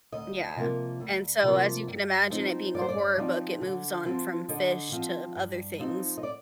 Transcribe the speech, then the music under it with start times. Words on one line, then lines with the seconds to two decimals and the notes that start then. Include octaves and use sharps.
Yeah, and so, as you can imagine it being a horror book, it moves on from fish to other things.
0.12 D2 D#5
0.56 C3 F3 A#3
1.00 D2
1.43 C3 F3 A#3
1.87 G2
2.30 F3 C4 D#4
2.74 G2 D5
2.81 C5
2.88 D5
3.17 F3 C4 D#4
3.61 D3
4.06 F3 C4
4.49 D3 D#5
4.92 F3 C4
5.36 G2
5.79 F3 C4 D#4
6.17 D#5
6.23 D5